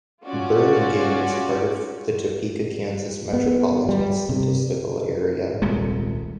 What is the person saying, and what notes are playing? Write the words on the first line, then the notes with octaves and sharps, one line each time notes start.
Burlingame is part of the Topeka, Kansas Metropolitan Statistical Area.
C#4 F4 F#4 D5
B3
G3
C3
D#1 C2 C3 G#3